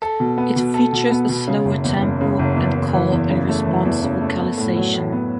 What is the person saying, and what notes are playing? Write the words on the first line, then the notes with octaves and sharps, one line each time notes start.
It features a slower tempo and call and response vocalization.
A4
B2
B3
B2
A4
B2
B3
B2
C#3
F#1
E2
F#1
C#3
F#1
E2
F#1
E3
E2
C#3
A3
E3
E2
C#3
A3
B3
A2
F#3
A2
B3